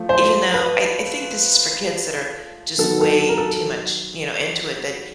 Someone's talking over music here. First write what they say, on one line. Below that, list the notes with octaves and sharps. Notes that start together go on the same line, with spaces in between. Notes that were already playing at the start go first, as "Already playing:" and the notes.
even though I I think this is for kids that are just way too much, you know, into it that
Already playing: F3 A3
C5
B4
D#3 F#3 B3 A4
A4
A#4
A4